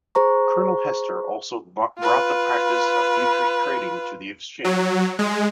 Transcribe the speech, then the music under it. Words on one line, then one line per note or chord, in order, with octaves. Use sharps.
Colonel Hester also brought the practice of futures trading to the Exchange.
G#4 C5 A#5 C#6
F4 B4
F#3
G#3